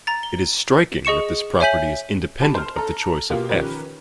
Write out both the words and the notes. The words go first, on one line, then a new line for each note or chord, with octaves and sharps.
It is striking that this property is independent of the choice of "f".
A#5 A6
G7
G#4 D#5 C#6 C#7 E7
C#5 E5 G#5 G6 B6 F#7
G4 A5 B5
C5 F6
A4 A#5
B2 A#3 F4 G4
D#3 F3 C#4 G4 A#4 B4